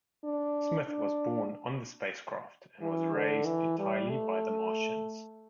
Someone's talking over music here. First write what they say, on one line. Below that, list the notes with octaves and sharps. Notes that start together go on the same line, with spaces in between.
Smith was born on the spacecraft and was raised entirely by the Martians.
D4
D4
E3
D3
E3
G3
A3